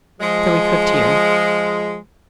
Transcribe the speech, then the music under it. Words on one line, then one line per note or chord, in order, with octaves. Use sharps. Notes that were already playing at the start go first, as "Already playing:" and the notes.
So we cooked here.
F3 G#3